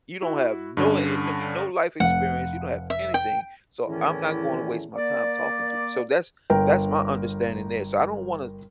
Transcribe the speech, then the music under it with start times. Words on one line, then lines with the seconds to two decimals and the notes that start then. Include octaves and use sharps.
"You don't have no, eh, no no life experience. You don't have anything, so I'm not going to waste my time talking to you," so that's that's my understanding there, so I don't wanna
0.22 E4 F#4
0.77 G2 D3 C#4
2.00 F1 F5 F#5
2.90 E5
3.14 G5
3.86 E2 A2 D#3 E3 C#4 E4
4.95 A#3 D5
6.50 G1 A#4 G5